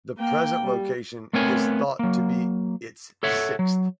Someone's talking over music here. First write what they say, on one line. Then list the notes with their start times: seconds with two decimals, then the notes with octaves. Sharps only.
The present location is thought to be its sixth.
0.18 A#3 G5
0.64 G3
1.33 A3 B3 C4 A#4 C#5 G#5
1.99 F#3 A#3
3.23 A4 C#5 E5 F#5
3.59 F#3